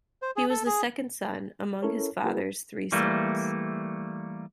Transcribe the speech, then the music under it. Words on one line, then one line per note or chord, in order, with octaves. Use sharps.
He was the second son, among his fathers three sons.
C5
G#4
A4
G#4
C#4 E4 A4 A#4 C#5
A#3 E4 F#4 G#4 A#4 B4
E3 G3 A3 A#3